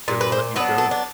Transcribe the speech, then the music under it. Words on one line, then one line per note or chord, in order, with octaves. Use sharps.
gonna let you go,
A#2
B4
C5
F#3 B3 D4 B4
A4
D4